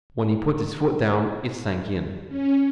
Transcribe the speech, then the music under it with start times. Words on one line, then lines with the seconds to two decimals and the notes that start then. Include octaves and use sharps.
When he put his foot down it sank in.
2.28 C#4